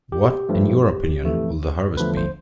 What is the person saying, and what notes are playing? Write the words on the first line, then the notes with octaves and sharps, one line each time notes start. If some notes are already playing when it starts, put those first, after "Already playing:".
What, in your opinion, will the harvest be?
G4
G2 F3 A3
F2 E3 A3
E2 D3 F3 A3 B4
C5